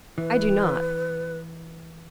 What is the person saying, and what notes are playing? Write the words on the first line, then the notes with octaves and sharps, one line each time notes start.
"I do not."
E3 B4